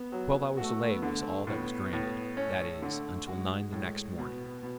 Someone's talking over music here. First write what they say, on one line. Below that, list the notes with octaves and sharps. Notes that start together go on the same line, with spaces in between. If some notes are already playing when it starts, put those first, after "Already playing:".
Twelve hours' delay was all that was granted--that is, until nine the next morning.
Already playing: B3
F#3
A3 F#4
B3
D3
A3
A2 B3
A2
A3 C#4
D3
G#3 F#4
A2
B2 B3
B2